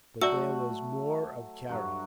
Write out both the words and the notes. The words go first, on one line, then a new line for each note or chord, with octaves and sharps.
But there was more of character.
F#3 A3 F#4 D5 E5 E6
G2 F#3